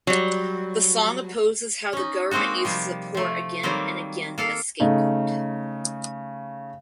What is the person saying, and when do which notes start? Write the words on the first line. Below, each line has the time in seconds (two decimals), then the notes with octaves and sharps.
The song opposes how the government uses the poor again and again as scapegoat.
0.07 F#3 G3
1.93 C#4 D#4
2.31 G#3 A#3 C4 D#4 F#4
2.65 C3 F3 G3
3.15 F3 A3
3.63 D#3 F#3 G3 A#3 C4
4.38 A#3 A4 F5
4.80 C#3 A3 D#4